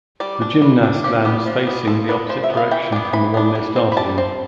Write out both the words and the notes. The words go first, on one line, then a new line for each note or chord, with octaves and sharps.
The gymnast lands facing the opposite direction from the one they started in.
G3 D5
D4
G3
D4
F3 G4
B3 D4 G4
F3
B3 D4
F3 A4
B3 D4 B4
F3 C5
E5
B3 D4
F5
E3 G5
B3 D4 G5
E3 B5
B3 D4
G3
C4
B5
G3 A5
C4